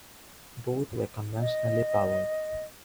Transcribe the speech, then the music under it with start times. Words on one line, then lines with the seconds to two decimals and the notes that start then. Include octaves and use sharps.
Both were conventionally powered.
1.40 D#5